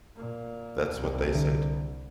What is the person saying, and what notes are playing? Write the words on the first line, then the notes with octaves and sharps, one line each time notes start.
That's what they said.
A#2
C2
D3